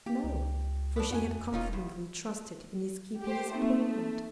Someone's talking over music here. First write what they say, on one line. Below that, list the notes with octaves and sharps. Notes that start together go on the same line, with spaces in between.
No; for she had confidently trusted in his keeping his appointment.
A#3 G4
C#2
B3 D4
F2 F#4 F#5 G#5
E1 C#4 D#4 F4
E2
G4 C5
A3 A#3 C4 D#4